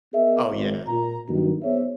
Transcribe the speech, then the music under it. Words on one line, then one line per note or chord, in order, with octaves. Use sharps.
Oh, yeah.
B3 G#4 A#4 D#5 E5
G#1
A#2 A#5
G2 D#3 F#3 A#3 D#4 F#4
B3 G#4 C5 C#5 E5